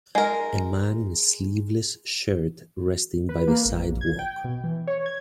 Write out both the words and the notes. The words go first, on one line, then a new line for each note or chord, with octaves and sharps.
A man in a sleeveless shirt resting by the sidewalk.
G#3 A#4
B4
A#3
G#1
A#1
G#6
G5
B2
E3
C#5
G#6